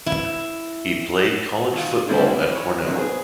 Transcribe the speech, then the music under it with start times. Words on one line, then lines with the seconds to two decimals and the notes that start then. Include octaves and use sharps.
He played college football at Cornell.
0.06 E4
1.73 G#1 F4
2.09 D3 E3 G3 A3 C4 E4
2.24 C4 E4 D5
2.51 E4 C#5
2.85 F#3 A#3 C4 C#4 D#4
2.97 B3 G#4 C5